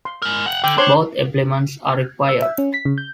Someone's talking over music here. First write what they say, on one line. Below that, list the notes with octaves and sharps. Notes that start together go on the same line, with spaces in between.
Both elements are required.
C6
G#3 A#4
F#5 G5
D3 G5
D4 C5 C#5 C6
E6
E5
C#4
B6
C#3
G6